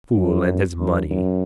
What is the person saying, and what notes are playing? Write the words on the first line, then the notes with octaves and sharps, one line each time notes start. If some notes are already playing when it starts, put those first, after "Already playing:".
Fool and his money.
F#2
F#2
F#2